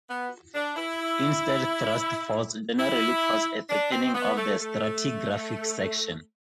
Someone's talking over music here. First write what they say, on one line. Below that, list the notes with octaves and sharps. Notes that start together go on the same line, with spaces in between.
Instead thrust faults generally cause a thickening of the stratigraphic section.
B3
D4
E4
E4
D4
C4
B3
A3
A3